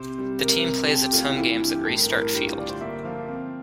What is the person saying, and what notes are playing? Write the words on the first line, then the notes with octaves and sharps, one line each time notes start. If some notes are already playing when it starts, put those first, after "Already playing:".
The team plays its home games at Restart Field.
Already playing: C3 C5
G3
C3 A#4
C3
G4
C4 A4
G4
A3 F4
E4
E3 E4
G2
G4
A2 A4
A#4
A2 A#4
A4
G2 G4
F4
D3 D5
C5
A#3 E5
F3 F5
C4